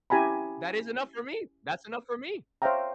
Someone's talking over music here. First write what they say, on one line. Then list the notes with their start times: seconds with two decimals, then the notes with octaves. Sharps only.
That is enough for me That's enough for me.
0.10 C#4 E4 G4 G#5 A#5 B5
2.62 C5 C#5 E5 F5 G5 A#5